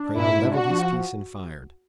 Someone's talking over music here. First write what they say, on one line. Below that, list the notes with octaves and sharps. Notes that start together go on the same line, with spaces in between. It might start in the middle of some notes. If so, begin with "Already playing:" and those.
Crayon leveled his piece and fired.
Already playing: D4
G#2 E4
D4
F#4
F3